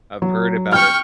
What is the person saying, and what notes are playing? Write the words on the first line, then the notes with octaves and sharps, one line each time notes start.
I've heard about it.
F#3
G5 C#6 F6